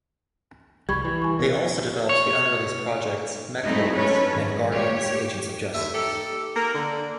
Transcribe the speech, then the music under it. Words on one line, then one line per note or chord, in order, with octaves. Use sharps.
They also developed the unreleased projects Mech Lords and Guardians: Agents of Justice.
C2 G3 B5 C#6 G#6
E3
G#5 C#6
B2 A#4
C#5
F#3 G#3 A3 C4 D#4 E4
C#4 A4 B4 C#5
G#2 D#3
G4 C#5
D#2 E5
D#4 G4 A4
A#3 A#4
D3